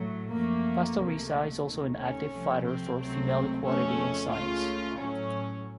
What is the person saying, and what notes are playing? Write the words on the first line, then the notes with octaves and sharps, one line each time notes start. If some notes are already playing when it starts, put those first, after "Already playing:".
Pastoriza is also an active fighter for female equality in science.
Already playing: A2 F#3 A3
F#2 F3 A3 A#3
C#2 C3 F3 A3 A#3
D#2 D#3 A3
C#4
C2 C3 F3 A3
C4
C#2 C3 F#3 A3 C4
F2 C#3 A3 C#4
C#2 C#3 A3 F4
A2 F#3 A3 C#4